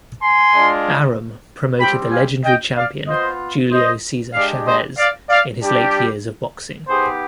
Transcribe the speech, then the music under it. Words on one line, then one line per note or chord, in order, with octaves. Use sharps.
Arum promoted the legendary champion Julio Cesar Chavez in his late years of boxing.
G#5 C6
G#3 D4 F4
G3 C4 G4 G5 B5
F5 G#5
D#5 G5
D5 F5
B3 F4 C5 D#5
C5 D#5
G#3 D4 G4 D5 F5
C5 D#5
D5 F5
D5 F5
G3 D4 G4
B3 D#4 G4 G#4 C5